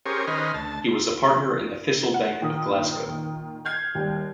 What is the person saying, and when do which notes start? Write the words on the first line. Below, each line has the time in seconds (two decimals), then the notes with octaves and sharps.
He was a partner in the Thistle Bank of Glasgow.
0.06 C#4 G4 G#4 A#4 C5 C#5
0.27 D#3 C#4 B4 C5 D#5 F6
0.54 D2 A5
2.14 F#5
2.41 A#2 D#3 D#6
3.65 F6 G6 G#6 C7
3.95 D#2 G3